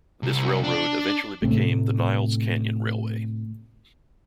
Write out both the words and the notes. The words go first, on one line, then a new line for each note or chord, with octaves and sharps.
This railroad eventually became the Niles Canyon Railway.
C2
D4
A2 C3 A3